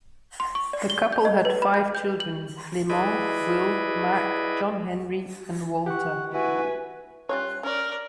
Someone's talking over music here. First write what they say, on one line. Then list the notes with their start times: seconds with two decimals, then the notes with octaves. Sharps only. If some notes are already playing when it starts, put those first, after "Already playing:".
The couple had five children: Clement, Will, Mack, John Henry, and Walter.
0.40 C6
0.55 C#6
0.73 D5
0.90 G7
1.13 G6
1.25 D#5
1.45 B4
1.62 B5
1.74 G6
1.95 G6
2.20 F#7
2.90 E4 G#4 B4 D5 D#5
5.86 G4 F#5 C#6
6.33 E4 F#4 B4 G#5
7.29 G3 C#4 F4 C#5 F#6
7.63 C#4 A#4 C#5 D5 F6